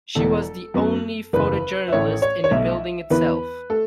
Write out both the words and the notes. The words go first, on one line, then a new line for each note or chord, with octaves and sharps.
She was the only photojournalist in the building itself.
E1 E2 B2 A4
F#2 F#3 B3
F#1 E2 C#3 B4
E5
A1 A2 A3 C#5
C#5
C#5
B1 B2 A3 E5
E2 E3 B3 B4
A3 A4